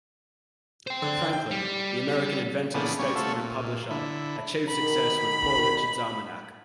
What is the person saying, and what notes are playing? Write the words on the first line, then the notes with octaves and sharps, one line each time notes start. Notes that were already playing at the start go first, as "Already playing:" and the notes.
Franklin, the American inventor, statesman, and publisher, achieved success with "Poor Richard's Almanack".
C5 G5
D3
G5
G3
A#2 C#3 E3 B3 D4 G#4
G3 C#4 C#5
A3 F4 F#4 A4 C#5
A#2
D3 E4
B2 D#3 A#4 B5